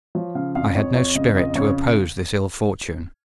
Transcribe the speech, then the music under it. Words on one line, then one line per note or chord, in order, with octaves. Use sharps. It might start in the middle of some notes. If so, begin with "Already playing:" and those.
I had no spirit to oppose this ill fortune.
F3 C#5
C#3 F5
F2 F5
F2 C#5
F2 C#5
C#3 D#5
F2 D#5
C#3 C#5